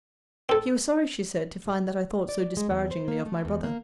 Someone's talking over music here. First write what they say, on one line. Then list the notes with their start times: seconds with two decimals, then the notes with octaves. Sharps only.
She was sorry, she said, to find that I thought so disparagingly of my brother.
0.49 C4 A4
2.29 D5
2.57 G#3
2.70 E2
2.91 C5
3.08 A#3
3.26 A3
3.45 E2
3.64 A#3